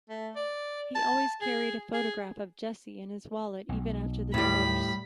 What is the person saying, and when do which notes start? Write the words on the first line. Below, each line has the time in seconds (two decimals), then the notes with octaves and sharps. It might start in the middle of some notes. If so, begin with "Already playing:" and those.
He always carried a photograph of Jessie in his wallet even after the divorce.
0.09 A3
0.36 D5
0.95 A5
1.41 G#4
1.94 G#4
3.69 B1
4.34 D#2 A2 G3 B5